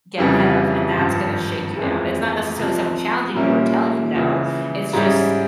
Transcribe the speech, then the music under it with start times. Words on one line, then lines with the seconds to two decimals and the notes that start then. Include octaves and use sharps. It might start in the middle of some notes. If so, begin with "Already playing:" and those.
get ahead of, and that's gonna shake you down, it's not necessarily someone challenging you or telling you no, it's just
0.18 F1 F2 C#3 E3 G3
0.97 G#1 G2 F3
1.77 F2 E3 G#3
2.56 C2 C3 F3
3.35 A#2 G3 A#3 C#4 E4
4.15 C#2 C#3 E3
4.93 G#2 G3 C#4 E4 G#4